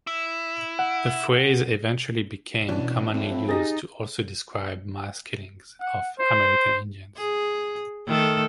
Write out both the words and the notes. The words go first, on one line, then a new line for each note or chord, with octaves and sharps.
The phrase eventually became commonly used to also describe mass killings of American Indians.
E4
F#5
B2 E3 C#4 D4
A2 F3 C4 E4
D#4 G4 G#4 A6 A#6
F#5
C5
G#4
D#3 A3 A4